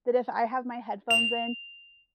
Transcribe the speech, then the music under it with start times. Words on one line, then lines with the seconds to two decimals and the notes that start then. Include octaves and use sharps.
that if I have my headphones in,
1.10 F7